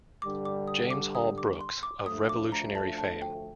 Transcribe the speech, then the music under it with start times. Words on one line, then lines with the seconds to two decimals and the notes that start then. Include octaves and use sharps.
James Hall Brooks, of Revolutionary fame.
0.22 G2 D3 G3 D6
0.45 D6
0.68 D#6
0.91 D6
1.15 D#6
1.38 D6
1.61 C6
1.83 D6
2.06 D2 D3 F3 A3 D#6
2.29 D6
2.52 A#5
2.75 A5
2.98 A5
3.22 G5